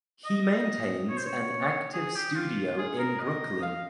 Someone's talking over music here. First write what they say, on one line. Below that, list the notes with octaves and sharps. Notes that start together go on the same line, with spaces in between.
He maintains an active studio in Brooklyn.
D#5
C#5
C5
C#5
G#4
G4
F4
G#4
A#4
D#5
F5